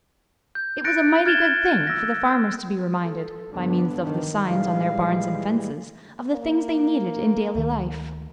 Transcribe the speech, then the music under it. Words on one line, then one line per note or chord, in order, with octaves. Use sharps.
It was a mighty good thing for the farmers to be reminded, by means of the signs on their barns and fences, of the things they needed in daily life.
G6
F#6 A6 A#6 C#7 D7
F6 G#6 A6 E7 G7
E6 A#6
A4
G2 D3 B3 D4
D#3
A#1 E3 G3 G#3 F5
A#3
D2 D#3